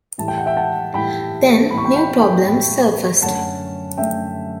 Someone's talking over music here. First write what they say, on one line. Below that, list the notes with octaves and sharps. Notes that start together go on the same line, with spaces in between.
Then new problems surfaced.
A2 E3 G3 A5
G5
F#5
E5 G5
F#5 A5
A2 E3 G3 G5 B5
A2 E3 G3 B5
C#6
G5 B5
G5 B5
G5 B5
A2 E3 G3 G5 B5
F#2 D3 A3 C#4 F#5 A5
F#2 D3 A3 C#4 E5 G5